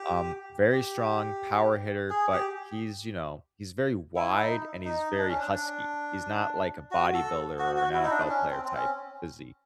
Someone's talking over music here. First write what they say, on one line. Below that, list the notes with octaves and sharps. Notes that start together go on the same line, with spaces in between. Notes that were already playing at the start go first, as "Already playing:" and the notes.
Um, very strong power hitter, but he's, you know he's very wide, and he's very husky. He's not like a bodybuilder or an NFL player type physique.
Already playing: G4
G4
G#4
G4
E4
D#4
D#4
D4
C#4
D4
D4
F#4
A4
F#4
F#4
E4
D#4
D4
C#4
C4
C4
C#4